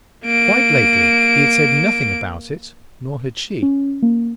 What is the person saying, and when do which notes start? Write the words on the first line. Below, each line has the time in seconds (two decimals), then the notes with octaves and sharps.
Quite lately he had said nothing about it,--nor had she.
0.25 A#3 D7
3.63 C#4
4.02 A#3